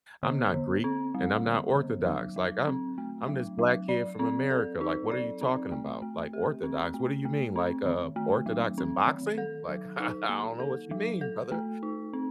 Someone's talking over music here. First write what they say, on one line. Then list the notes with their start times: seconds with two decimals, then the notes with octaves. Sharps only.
"I'm not Greek, and I'm not Orthodox. Like, I'm I'm this Black kid from America, like, what are you talking about? Like, Orthodox, what do you mean, like, uh, Orthodox in boxing? Like, I don't know what you mean, brother."
0.23 D3
0.54 D3
0.84 C4
1.15 G3
1.45 D3
1.76 D3
2.06 F#3
2.36 F#3
2.67 C4
2.98 A3
3.29 F#3
3.59 F#3
3.89 D5
4.19 C4
4.51 A4
4.81 D#4
5.11 D5
5.41 C4
5.72 A3
6.02 A3
6.33 G4
6.64 C4
6.94 A3
7.25 A3
7.56 C4
7.86 D#3
8.16 A3
8.46 F#3
8.78 C4
9.07 D#3
9.38 A4
9.69 F#3
10.00 D#4
10.29 A#3
10.60 A4
10.91 F#3
11.21 A4
11.52 A3
11.83 D#4
12.13 C4